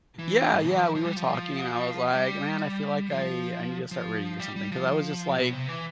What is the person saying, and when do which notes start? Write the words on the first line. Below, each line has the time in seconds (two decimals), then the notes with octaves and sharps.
Yeah, yeah, we were talking and I was like, "Man, I feel like I I need to start reading or something." 'Cause I was just, like
0.19 E3
0.52 G2
0.68 E3
0.84 F3
0.95 F3
1.05 G3
1.16 F3
2.13 G3
3.10 F3
3.91 F3
4.39 G3
4.56 G3
4.72 F3
5.37 B2
5.53 C3
5.68 E3